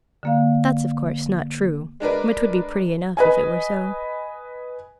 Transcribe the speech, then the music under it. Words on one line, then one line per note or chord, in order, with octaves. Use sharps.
That's, of course, not true: but 'twould be pretty enough if it were so.
D3 A#3 F5
G#3 D4 A#4 B4
B4 D#5 G#5